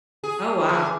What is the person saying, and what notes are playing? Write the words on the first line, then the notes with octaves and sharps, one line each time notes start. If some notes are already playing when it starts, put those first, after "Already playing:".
Oh, wow.
G#4
E3